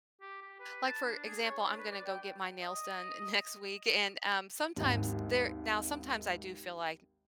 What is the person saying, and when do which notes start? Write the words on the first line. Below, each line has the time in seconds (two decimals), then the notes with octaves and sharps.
Like, for example, I'm gonna go get my nails done next week and, um, sometimes there now sometimes I do feel like,
0.21 G4
0.42 G4
0.60 B4
0.84 A5
1.04 D4
1.25 G#4
1.43 C#5
1.65 D4
1.78 B4
1.91 D5
2.06 G5
2.63 D#5
4.76 G#1 D#2